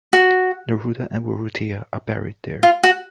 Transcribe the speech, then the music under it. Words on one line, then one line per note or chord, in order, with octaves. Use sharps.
Neruda and Urrutia are buried there.
F#4
F4
F#4